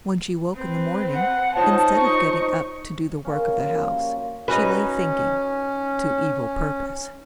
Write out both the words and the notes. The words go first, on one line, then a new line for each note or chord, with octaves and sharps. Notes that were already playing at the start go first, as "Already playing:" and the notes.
When she woke in the morning, instead of getting up to do the work of the house, she lay thinking--to evil purpose.
C4 B4
F#5
D#4 F4 C5 C#5 D#5 A5
C#6
C#3 G#3 A#3 C#4
F#2 F3
G3 C#4 F#4
C#4 D#4 F#4 B4